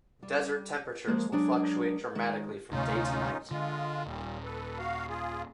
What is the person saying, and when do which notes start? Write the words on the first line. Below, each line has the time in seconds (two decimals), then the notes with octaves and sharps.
Desert temperatures will fluctuate dramatically from day to night.
0.23 G3
1.07 F3 G#3 A#3
1.32 F#3 G#3 D4 G#4
2.15 D#3 G#3
2.72 D2 C3 A3 C#4 D#4 F4
3.51 D3 G#3 F4
4.06 D#1 A#2 G3
4.45 A4 B4
4.78 F#4 F5
5.09 F4 G#4